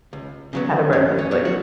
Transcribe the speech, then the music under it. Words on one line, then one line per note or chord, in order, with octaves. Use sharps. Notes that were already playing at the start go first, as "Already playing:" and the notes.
at a breakfast place,
C#2
C#3 F#3 B3
F#2 C#4
C#4
F#3 B3
F#4